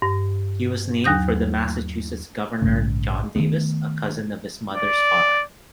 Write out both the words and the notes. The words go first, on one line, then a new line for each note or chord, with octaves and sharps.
He was named for Massachusetts Governor John Davis, a cousin of his mother's father.
G2
D#2 F#3 D#6 G6
A#1 G#2 C#3
D#3 F#3 A3 B3
D5